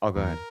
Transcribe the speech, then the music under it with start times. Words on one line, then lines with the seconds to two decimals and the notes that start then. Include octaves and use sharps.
Oh, go ahead.
0.16 E2 A#4